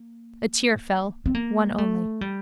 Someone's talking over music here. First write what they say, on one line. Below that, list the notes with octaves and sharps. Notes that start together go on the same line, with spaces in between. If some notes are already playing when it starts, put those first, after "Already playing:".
A tear fell: one only.
Already playing: A#3
C4
A#3
A3
G3